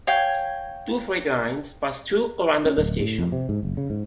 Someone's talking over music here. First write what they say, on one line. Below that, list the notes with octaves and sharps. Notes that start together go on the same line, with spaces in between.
Two freight lines passed through or under the station.
C#5 F5 G5 G#5
C#4
D1
A2
F2
C3
G#2
F#1
C#3
G#2